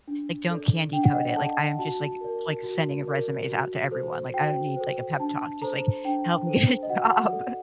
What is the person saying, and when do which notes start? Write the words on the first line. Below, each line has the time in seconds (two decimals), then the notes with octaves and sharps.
like don't candy coat it, like I am just like like sending resumes out to everyone. Like I don't need like a pep talk. Just like help me get a job.
0.08 D4
0.50 A4 D5
0.93 D4 G5
1.03 F#5
1.13 D#5
1.23 F#5
1.36 A4 D5 A5
1.79 F#4 A5
2.21 A#4 D5
2.63 F#4
3.06 A#4 D5
3.49 F#4
3.91 A4 C5
4.34 F#4 G5
4.77 A4 C5
5.19 D4 A5
5.62 A4 C5 A#5
6.05 D4 G5
6.47 A4 C5
6.83 D#5
6.90 F#4 F#5
7.11 F#5
7.33 A4 D5